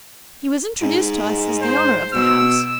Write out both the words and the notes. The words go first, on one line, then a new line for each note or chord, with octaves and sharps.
He was introduced to us as the owner of the house--Mr.
G#2
C5
B2 E6